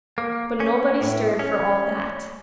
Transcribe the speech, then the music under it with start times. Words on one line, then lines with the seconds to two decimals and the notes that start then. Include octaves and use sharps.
But nobody stirred for all that.
0.18 A#3
0.60 C#4
1.01 A2
1.39 C#4